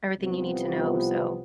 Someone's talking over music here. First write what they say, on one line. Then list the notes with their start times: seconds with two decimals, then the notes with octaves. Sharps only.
everything you need to know. So
0.19 C2 C3 F3 B3 F4